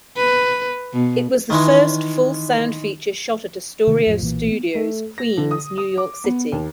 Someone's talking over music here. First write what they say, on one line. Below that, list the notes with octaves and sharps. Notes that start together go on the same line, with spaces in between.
It was the first full-sound feature shot at Astoria Studios, Queens, New York City.
B4
B2
D#3 E3 G#3
C3 D#3 A3
F2 A2 F3
B1 A#2 E3 A#3
B3
A3
A#6
D3
D#6
D#6
D6
B3
D#2